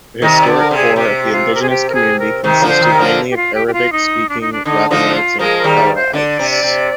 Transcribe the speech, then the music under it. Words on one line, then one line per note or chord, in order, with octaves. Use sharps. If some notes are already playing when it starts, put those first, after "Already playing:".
The historic core of the indigenous community consisted mainly of Arabic-speaking Rabbanites and Karaites.
C3 D#3 D#5
D5
D3
A#4
C3 A#4
G#4
C3 G4
G4
F4
A#4
G#4
G4
A#4
G#4
A#4
C3 D#3 C5
D3 F3
C5
C3 D#3
A#4
D3 F3
G4
F4
G4
G4
F4
D#4
D4
D#4
D4
D3 D#4
D3 F3 D#4
F4
F3 G#3 A#4
A#4
D#3 G3
D5
C5
D3 D5
C3
D5
C3